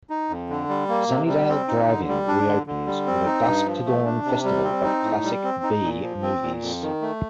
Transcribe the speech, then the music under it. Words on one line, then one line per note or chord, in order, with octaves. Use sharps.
Sunnydale Drive-In reopens with a dusk-to-dawn festival of classic B movies.
D#4
F2
D3
G3
A#3
C3
G3
C4
D#4
D3
G3
D4
D3
D3
G3
C4
D#4
G2
F3
A3
D4
C3
G3
C4
D#4
A2
G3
C4
D#4
A#2
F3
C4
A#2
F2
D#3
A3